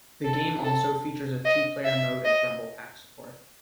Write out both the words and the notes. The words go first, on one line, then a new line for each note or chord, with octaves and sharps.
The game also features a two-player mode and rumble pack support.
A4
A4
D#5
E5
D#5